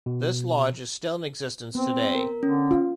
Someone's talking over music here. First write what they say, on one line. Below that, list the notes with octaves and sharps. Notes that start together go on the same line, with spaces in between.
This lodge is still in existence today.
B2
B3 C4
A#4
D3 C#4
F4